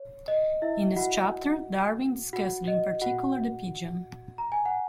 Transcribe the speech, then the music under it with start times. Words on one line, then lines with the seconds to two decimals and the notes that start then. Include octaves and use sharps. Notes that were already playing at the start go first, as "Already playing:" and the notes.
In this chapter, Darwin discussed in particular the pigeon.
Already playing: C#5
0.28 D#5
0.62 E4 E5
0.96 F#4 F#5
2.33 F#4 F#5
2.68 D#5
3.02 F#4 F#5
4.38 A#5
4.52 G#5
4.66 F#5